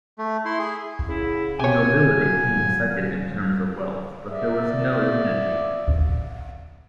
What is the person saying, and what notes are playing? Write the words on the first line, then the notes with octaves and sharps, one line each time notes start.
The nobility came second in terms of wealth, but there was no unity.
A3
E4 C6
G#4
C#3 E4
C3 G4 C#5 G#5
F#3
D5 E5